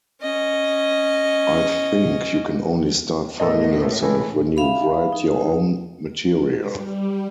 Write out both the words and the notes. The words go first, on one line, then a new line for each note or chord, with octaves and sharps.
I think you can only start finding yourself when you write your own material.
C#4 D#5
A2 A4 A#4 D#5
E3 A3
E5 F5 B5
D#4
G3